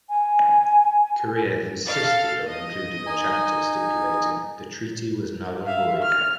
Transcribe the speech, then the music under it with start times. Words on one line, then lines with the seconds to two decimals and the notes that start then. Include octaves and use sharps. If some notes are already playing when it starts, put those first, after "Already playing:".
Korea insisted on including a chapter stipulating "The treaty was null and void".
0.09 G#5
1.86 A4 F5 A6
2.46 D#5
3.06 D#4 G#5
5.66 E5 F5
6.03 F6